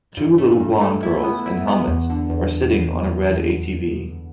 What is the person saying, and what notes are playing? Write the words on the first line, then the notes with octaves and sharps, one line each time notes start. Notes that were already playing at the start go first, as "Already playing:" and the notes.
Two little blond girls in helmets are sitting on a red ATV.
G2
A3
G2
A3
E4
B3
E4
B3
E2
D3
E2